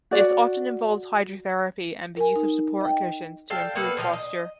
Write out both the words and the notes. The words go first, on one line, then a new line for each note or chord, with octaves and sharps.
This often involves hydrotherapy and the use of support cushions to improve posture.
F#4 D5
A#4 G#5
D#4
D#5 G5
A4 F5 G5
A#3 B3 A4 B4
A#2 F3 F5 G5
D#5